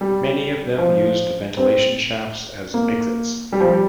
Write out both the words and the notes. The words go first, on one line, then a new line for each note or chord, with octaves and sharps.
Many of them used the ventilation shafts as exits.
G3
F3
C4
A#3
G3
F3
G3